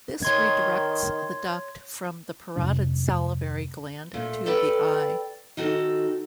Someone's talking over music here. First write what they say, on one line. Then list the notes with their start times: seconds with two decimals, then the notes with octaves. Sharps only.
This redirects the duct from the parotid salivary gland to the eye.
0.23 D#3 C#5 C6 G#6
2.56 D1 F2 C3 D4
4.14 A#2 A3
4.46 A4 B4 D5 G5
5.57 D#3 D#4 F#4 A4